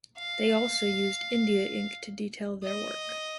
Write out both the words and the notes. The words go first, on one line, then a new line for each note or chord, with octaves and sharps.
They also used India Ink to detail their work.
F5
D#5